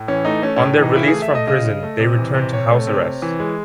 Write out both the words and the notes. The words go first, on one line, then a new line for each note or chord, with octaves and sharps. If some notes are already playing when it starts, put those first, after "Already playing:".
On their release from prison, they returned to house arrest.
Already playing: A2
E3 C#4
A3 D#4
A3 C#4
A2 C#4
E3 D#4
C#3 E4
A3 G#4
E5
A3 D#5
C#3 D#5
C#3
A3
C3
E3
C3
C3 C#5
A3
C3
C3
E3
G#3